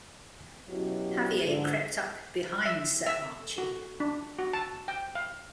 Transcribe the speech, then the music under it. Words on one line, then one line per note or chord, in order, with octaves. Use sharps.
Xavier crept up behind Sir Archie.
B2 F#3 C#4 E4 F#4 G4
G#2 D3
E5
E5
F#4
D4
F#4
A5
G5
F5